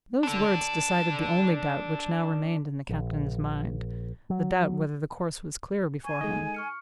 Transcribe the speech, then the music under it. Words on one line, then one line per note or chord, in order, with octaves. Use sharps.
Those words decided the only doubt which now remained in the captain's mind--the doubt whether the course was clear before him.
D4 A4
A#1
F#3
G#5 C#6
G#3 D#4 A4 D#5
C#6 F6 C#7